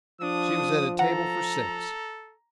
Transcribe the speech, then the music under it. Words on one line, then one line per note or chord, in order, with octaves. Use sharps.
She was at a table for six.
F3 D4 D#6
A4 F#5 A#5